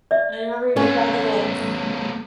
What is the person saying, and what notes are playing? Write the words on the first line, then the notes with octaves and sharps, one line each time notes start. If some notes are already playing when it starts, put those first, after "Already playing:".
I never even thought about
D5 E5
A3 B3 C#4